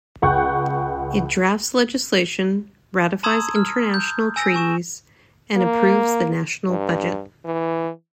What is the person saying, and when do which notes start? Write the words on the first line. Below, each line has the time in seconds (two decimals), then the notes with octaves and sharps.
It drafts legislation, ratifies international treaties, and approves the national budget.
0.22 C#2 F#5 G5 C#6 F#6 G6
3.23 A5 A#5 C6 D#6 E6 G#6
3.56 F6
3.94 G6
4.36 G#5 E6 A#6
4.54 G#5 C#6 E7
5.57 A#3
6.69 G2
7.45 E3